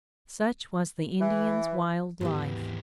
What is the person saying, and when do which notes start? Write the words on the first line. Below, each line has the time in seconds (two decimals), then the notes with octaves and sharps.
Such was the Indians' wild life!
1.20 E3
2.21 D#2 G#2 E3 B3 G4